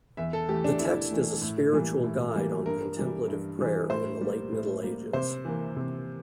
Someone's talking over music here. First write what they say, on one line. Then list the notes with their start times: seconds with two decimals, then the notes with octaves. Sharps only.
The text is a spiritual guide on contemplative prayer in the late Middle Ages.
0.17 E2 E5
0.33 A4
0.49 E3 A3 G4
0.64 D4
0.80 E2 E4
1.11 E3 A3
1.42 A2
1.73 E3 G3 A#3
2.04 A2
2.35 E3 G3 A#3
2.66 G2 A#4
2.97 E3 G3
3.28 G2
3.59 E3 G3
3.90 A2 C5
4.21 G3 A#3
4.53 A2
4.83 G3 A#3
5.13 C3 C5
5.45 E3 A#3
5.77 C3